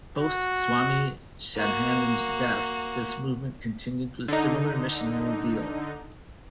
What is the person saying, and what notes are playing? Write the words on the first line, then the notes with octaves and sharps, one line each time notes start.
Post Swami Shraddhanand death this movement continued with similar missionary zeal.
F#4
A#3 F#4
D3 D#4